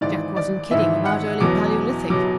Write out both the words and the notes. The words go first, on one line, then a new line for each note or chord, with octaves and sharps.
Jack wasn't kidding about early Paleolithic.
G#1 G#2 E3 D5
D5
G#1 G#2 E3 E5
F#5
E2 B2 F#3 D6
B2 F#3 D6